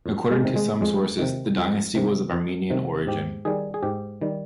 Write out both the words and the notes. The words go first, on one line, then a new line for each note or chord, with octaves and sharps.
According to some sources the dynasty was of Armenian origin.
F2
G#3
C3 D#3
G#3
F2 G#3
C3 D#3
F2
C3 D#3
F2
C3 D#3
G#2 G4
D#3 G3 G#4
G#4
G#2 G4
D#3 G3